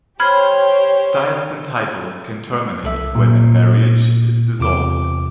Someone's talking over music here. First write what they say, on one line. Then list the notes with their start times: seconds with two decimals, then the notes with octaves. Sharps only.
Styles and titles can terminate when a marriage is dissolved.
0.20 G4 C5 C#5 B5 F6 G#6
2.84 C2 A4 E5
3.15 A#2
4.59 E2 C3 F4 D6